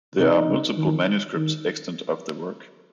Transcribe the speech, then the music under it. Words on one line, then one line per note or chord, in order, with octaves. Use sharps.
There are multiple manuscripts extant of the work.
C3 D#4
C#3
D#3
D#3